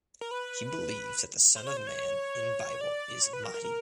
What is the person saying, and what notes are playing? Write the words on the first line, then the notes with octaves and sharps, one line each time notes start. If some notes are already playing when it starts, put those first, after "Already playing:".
He believes that the Son of Man in Bible is Mahdi.
A#4
B4
C5
C#5
C5
C#5
D5
C#5
B4
A#4
A#4
A#4